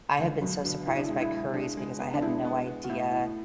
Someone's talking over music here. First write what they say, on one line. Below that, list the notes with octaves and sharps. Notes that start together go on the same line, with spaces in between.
I have been so surprised by curries because I had no idea
C#2 D3
B2 F#3
B2 D4
B2 E4
D4
G#3 E4
E4
G#3
G#3 D4
G#3
B3
D4
G#3 E4
B3
B3
F#4
A2 E4
A2